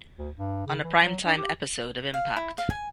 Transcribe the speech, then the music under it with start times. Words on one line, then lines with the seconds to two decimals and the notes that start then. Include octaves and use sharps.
On a prime time episode of Impact!
0.18 D2
0.37 G2
0.67 C#3
0.84 E3
1.01 F#3
1.25 D4
1.38 G4
2.14 F5
2.37 E4
2.58 F5
2.70 G#5